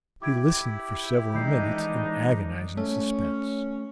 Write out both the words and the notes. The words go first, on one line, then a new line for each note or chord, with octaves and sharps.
He listened for several minutes in agonizing suspense.
E4 G4 D6 G#6 D7
D#3 E3 G#3 D4 D#4 D6 G6 C7
A3 C#4